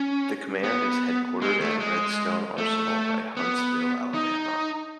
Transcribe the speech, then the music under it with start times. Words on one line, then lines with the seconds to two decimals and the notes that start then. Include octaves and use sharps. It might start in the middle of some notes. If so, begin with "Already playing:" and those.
The command is headquartered at Redstone Arsenal by Huntsville, Alabama.
Already playing: C#4
0.63 B3
1.42 G#3
1.61 A3
1.80 G#3
2.58 A3
3.37 B3
4.14 D#4